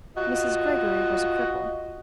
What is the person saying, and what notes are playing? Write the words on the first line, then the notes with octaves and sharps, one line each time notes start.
Mrs. Greggory was a cripple.
F4 F#4 D#5